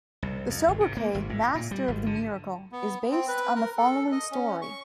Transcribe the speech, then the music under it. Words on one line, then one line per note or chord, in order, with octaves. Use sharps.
The sobriquet "Master of the Miracle" is based on the following story.
C2
F2
G#1
C3
A#3
G#1
A2
A#2
G3
G#1
D3
B3
C4
B4
A#4
A4
D#5
C#4
C#6